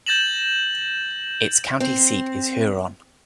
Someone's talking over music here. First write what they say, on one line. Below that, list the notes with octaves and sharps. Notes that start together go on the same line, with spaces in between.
Its county seat is Huron.
G6 A6 A#6 E7 F#7
C4